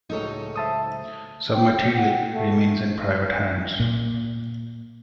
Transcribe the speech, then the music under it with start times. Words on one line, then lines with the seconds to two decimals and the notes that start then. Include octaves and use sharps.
Some material remains in private hands.
0.10 C#2 A2 F#3 D#4 A4 C#5
0.56 C5 E5 A5 D#6
1.54 G5
1.96 F#5
2.34 A3
3.80 A#2